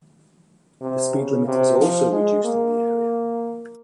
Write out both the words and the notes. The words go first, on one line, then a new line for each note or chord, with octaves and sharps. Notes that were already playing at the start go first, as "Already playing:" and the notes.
The speed limit is also reduced in the area.
C3
C#3
C3
F3
G#3
A#3